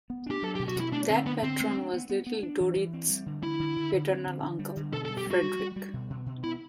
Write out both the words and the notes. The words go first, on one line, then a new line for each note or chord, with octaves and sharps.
That patron was Little Dorrit's paternal uncle, Frederick.
B3
D4 G4
F#3 A4
G4
B2
F#4
B2 E4
A3 D4
D3 C4
D3 B3
D3 C4
A3
D4
B3
B3
B3
D4
E3
E3
C4
G3
D3
D3 E4
D3
D3
D3
C4
D3
D3
G3
D3
B2 A4
A4
G3
G4
G3 F#4
G3
G3
G3
B2
B2
B2
B2 E4